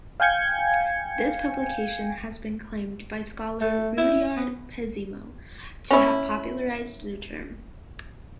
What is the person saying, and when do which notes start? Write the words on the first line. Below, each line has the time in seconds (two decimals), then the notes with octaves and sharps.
This publication has been claimed by scholar Rudyard Pesimo to have popularized the term.
0.20 F5 G5 G#5 G6 G#6 C#7
3.61 A3
3.97 E4
4.37 B3
5.91 C#4 E4